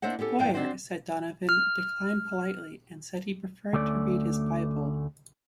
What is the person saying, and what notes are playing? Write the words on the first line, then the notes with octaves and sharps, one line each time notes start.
Boyer, said Donovan, declined politely and said he preferred to read his Bible.
A#3 D4 E4 C5 D#5 F#5
B3 C#4 G4 A4
G2 E3 F5 G5
C4 D4 F#4 C5
F6
D2 A3 C#4 D5